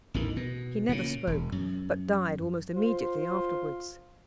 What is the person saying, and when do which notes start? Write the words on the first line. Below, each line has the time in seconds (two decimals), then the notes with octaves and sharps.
He never spoke, but died almost immediately afterwards.
0.14 A1 E2 D#3
0.36 B2
0.89 A#2 C#3
1.27 E1
1.52 F#2
2.75 F4 C5